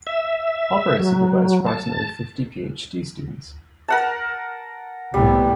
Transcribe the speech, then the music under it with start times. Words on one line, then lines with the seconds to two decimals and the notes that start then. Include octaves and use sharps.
Hopper has supervised approximately fifty PhD students.
0.07 E5
1.00 F#3
1.66 A5
3.88 A#4 F#5 A5
5.14 C2 A2 G3 B3